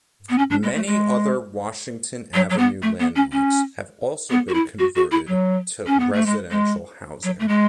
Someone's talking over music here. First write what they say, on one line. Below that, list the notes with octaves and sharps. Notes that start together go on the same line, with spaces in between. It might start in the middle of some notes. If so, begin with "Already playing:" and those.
Many other Washington Avenue landmarks have also been converted to residential housing.
B3
C#4
D4
G#3
A3
G#3
F#3
F#3
B3
A3
B3
C#4
C#4
B3
F#4
E4
F#4
F#4
E4
F#3
C#4
B3
A3
G#3
G#3
F#3
A3
G#3